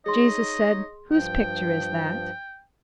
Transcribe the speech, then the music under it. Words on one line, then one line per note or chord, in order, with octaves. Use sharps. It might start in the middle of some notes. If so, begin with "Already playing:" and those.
Jesus said, "Whose picture is that?"
D#4 G#4 C#5 D#5 C6
G2 F3 G5